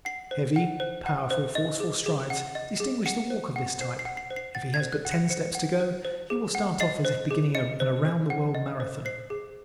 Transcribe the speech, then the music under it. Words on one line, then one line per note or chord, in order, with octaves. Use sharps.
Heavy, powerful, forceful strides distinguish the walk of this type. If he has but ten steps to go he will start off as if beginning an around-the-world marathon.
F#5 C7
C5
F#5
C5
F#5
C5
D#5
G#4
G#4
F#5
D#5
G#4
F#5 C#7
C5
F#5
C5 C7
C7
F#5
C7
C5
C7
F#5 A6
G#6
C5
F#6
F#5
C#7
C5 C#7
F#5
C5
C5
G#4
F#5
D#5 C7
C5
G#4
D#5 C#7
C5
C5
F#5
D#5
C5
C5 C7
G#4